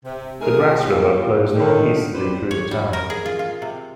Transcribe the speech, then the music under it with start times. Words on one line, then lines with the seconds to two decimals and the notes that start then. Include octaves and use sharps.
The Grasse River flows northeasterly through the town.
0.05 C3
0.40 A3 D#4 G#4 A#4
0.77 G3 A#3 F4 G4
1.55 D3 D#3
2.13 F2 G4 B4 C5 D5
2.51 C#5
2.71 G3
2.93 A#4
3.10 G#4
3.26 F4
3.39 F4
3.62 C3